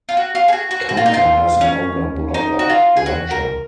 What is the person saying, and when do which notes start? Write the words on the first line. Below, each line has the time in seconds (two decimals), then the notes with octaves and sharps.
Caunter has an older brother, Roger.
0.09 F4
0.17 F#4
0.35 F4
0.48 G#4
0.53 F#4
0.71 F#4
0.89 F#4
0.97 F4
1.06 D#4
1.14 F4
1.61 C#4
2.34 D#4
2.59 F#4
2.70 F4
2.97 G#4
3.06 F#4
3.31 A#4